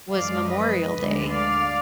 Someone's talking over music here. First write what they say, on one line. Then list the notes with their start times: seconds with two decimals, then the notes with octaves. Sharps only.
was Memorial Day
0.11 F#2 F3 G#3 D5 F5
0.50 B4 D#5
0.90 D2 D3 G#3
1.29 D5 F5